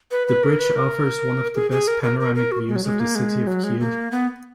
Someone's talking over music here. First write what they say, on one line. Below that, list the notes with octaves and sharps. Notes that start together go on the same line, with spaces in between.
The bridge offers one of the best panoramic views of the city of Kiel.
B4
B4
A#4
B4
A#4
G#4
G#4
A#4
A#4
A#4
A#4
F#4
G#3
F#3
G#3
A#3
G#3
F#3
G#3
A#3
B3